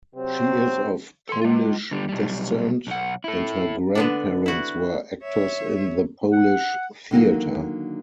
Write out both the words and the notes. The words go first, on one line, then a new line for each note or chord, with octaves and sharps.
She is of Polish descent, and her grandparents were actors in the Polish theater.
C3 F#3 C4
A4 C6
G#3 F4
D3 G3
B1 G3
B1 F#5
E4 A4
D3 B3 D4
E4 F#4
C#5 E5
F#5
D3 D#3 F#3 A#3